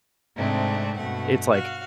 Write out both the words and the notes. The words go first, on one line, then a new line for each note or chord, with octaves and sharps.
it's, like,
G#2 C3 G#3 A3 C4 D4
G2 B2 A3 F#5
F#4 F5